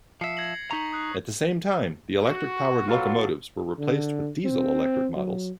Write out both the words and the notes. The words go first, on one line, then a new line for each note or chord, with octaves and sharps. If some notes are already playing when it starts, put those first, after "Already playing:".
At the same time, the electric-powered locomotives were replaced with diesel-electric models.
F3 E5 C7 C#7
G#6 A#6 F#7
D#4 A#5 C#6 B6 F#7
D#6 F#6 C7
F#4
F#3 B3 F4 A4 F5
D3
C4
F#3